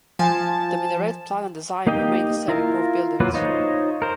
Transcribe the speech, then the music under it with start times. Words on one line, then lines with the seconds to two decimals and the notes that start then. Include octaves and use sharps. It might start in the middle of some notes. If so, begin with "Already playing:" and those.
The minaret plan and design remained the same in both buildings.
0.19 F3 G#5 A5
1.87 A#3 D#4 G4 D#5 G5
2.48 E4 F4 A#4
3.20 E3 F#3 A#3 F4 B4
3.34 D#4 F4 C5 C#5 D#5
4.02 A#4 C5